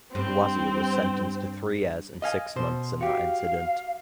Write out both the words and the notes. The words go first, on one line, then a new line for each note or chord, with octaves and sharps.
Wazir was sentenced to three years and six months in that incident.
G2 C4
D#5 F5 G#5
B2 C5
F#4 G4 F5